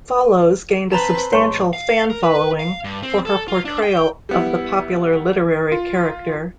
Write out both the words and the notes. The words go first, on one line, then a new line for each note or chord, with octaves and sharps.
Follows gained a substantial fan-following for her portrayal of the popular literary character.
C4 B4 C5 A5 A#5 A6
A1 G#3 C#5 A5 C6 C#6
F5
A#4
B4
F5
G2
C4
A4
F4
D4
G5
G3 B3 E4
F4